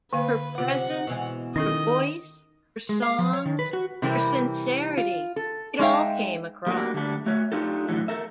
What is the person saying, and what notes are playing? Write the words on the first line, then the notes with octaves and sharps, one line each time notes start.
Her presence, her voice, her songs, her sincerity-it all came across.
D3 A#3 B4 F5
C3 F4 F#5
B2 E3 G#3
D#3 C#4 E4 A4 D#5
G#3
F5
F3
C#5
D#3
B4
F#4
C3 E3 G3 C4 A#4
F4
A4
G#3 D#4 E5 F5 G5
G3 A3 A#3 D4 F#4
D3 G3 A3 D4
A3 F#4 C#5 E5
A3 D4 D#4 F4 G4 A4
A2 D3 E3 F#3 A3
A4 A#4 E5